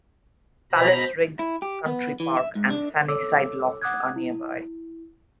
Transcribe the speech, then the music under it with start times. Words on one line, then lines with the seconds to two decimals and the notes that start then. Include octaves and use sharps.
Palacerigg Country Park and Fannyside Lochs are nearby.
0.73 B2 C5 A#5 B5
1.39 E4
1.62 G4
1.86 B3
2.20 E3
2.37 E5
2.55 G#2
2.70 D4
3.08 A4 C#5 D6 E6
3.82 F#5 D6 D#6 F#6 G#6
4.16 E4